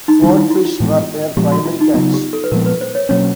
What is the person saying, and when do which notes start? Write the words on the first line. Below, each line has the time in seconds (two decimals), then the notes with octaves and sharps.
Swordfish were their primary catch.
0.08 D#4
0.22 D#3 G3 B3 D4 E4
0.37 E4
0.50 E4
0.65 F4
0.80 A2 E3 G#3 B3
1.37 A#2 F3 G#3 B3 G4
1.51 F#4
1.66 F4
1.81 D#4
1.94 C#3 F#3 B3 F4
2.14 G4
2.33 A4
2.44 B4
2.51 A#2 F3 G#3 B3 A#4
2.66 B4
2.81 C5
2.95 C#5
3.09 B2 F#3 A#3 C#4 C#5